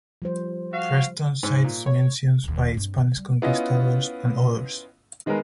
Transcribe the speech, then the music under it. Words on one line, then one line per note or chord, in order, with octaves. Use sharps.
Preston cites mentions by Spanish conquistadors and others.
F3 G3 C5
F#4 F5
G#2
A#2
C#5
E1 D#2
G2 C4
D#3
G3
B3 C#4 E4 F4 D#5
D#3 G#3 B3 G#4 A#4 B4